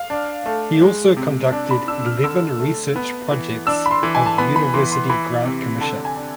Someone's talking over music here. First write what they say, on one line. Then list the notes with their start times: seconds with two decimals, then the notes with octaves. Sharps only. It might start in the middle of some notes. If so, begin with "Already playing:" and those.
He also conducted eleven research projects of University Grant Commission.
Already playing: F5
0.10 D4
0.46 A3
0.82 G#3
1.17 C3
1.52 D4
1.71 B5
1.88 D4 E6
2.06 F6
2.24 D3 E6
2.60 A3
2.96 B3
3.31 E3
3.67 D4 E6
3.86 B5
3.91 C6
4.03 E3
4.15 G#5
4.26 A5
4.38 B3 B5
4.56 B5
4.74 E3 C6
4.92 C6
5.09 E3 B5
5.45 C3
5.81 D3 A5
6.05 G#5
6.16 D4